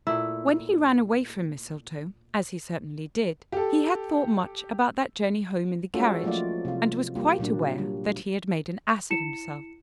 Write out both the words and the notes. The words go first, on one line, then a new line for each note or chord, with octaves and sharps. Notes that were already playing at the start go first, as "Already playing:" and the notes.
When he ran away from Mistletoe, as he certainly did, he had thought much about that journey home in the carriage, and was quite aware that he had made an ass of himself.
A#2 A3 E4
G4 A4
G#3 C#4 F4 F#4 A4
F3 F#3 A3 A#3 F4 D5
C3 F4
G3 A#3 F4 G4
A#2 F#3 A#3 D4
G3
E4 C#7 E7